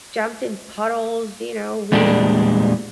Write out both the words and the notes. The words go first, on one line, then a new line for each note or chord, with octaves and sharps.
jumped in puddles, you know, we
E2 A#2 G3 G#3 D4 G5